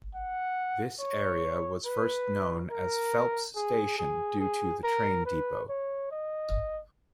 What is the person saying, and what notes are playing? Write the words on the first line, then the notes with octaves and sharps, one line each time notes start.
This area was first known as Phelps Station due to the train depot.
F#5
C#5
B4
A#4
G#4
G#4
G#4
A#4
B4
C#5
D#5